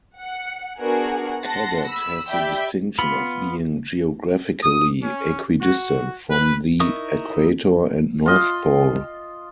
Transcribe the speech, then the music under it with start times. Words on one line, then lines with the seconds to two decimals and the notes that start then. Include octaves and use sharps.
Cadott has the distinction of being geographically equidistant from the Equator and North Pole.
0.18 F#5 C#7
0.78 B3 D4 F#4 G#4 A#4 F#5
1.43 F#5 A5 C6 A#6
1.88 B5 E6
2.30 G4 D5 E5 G5 B5 G6
2.99 B3 F4 B5
4.62 D#6
5.02 C#4
5.60 F#4
6.30 B4
6.80 D#4 E4 A#4 C#6 D#6
8.26 F4 D#5